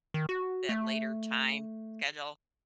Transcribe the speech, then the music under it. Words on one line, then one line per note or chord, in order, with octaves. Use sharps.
that later time schedule.
D#3
F#4
A3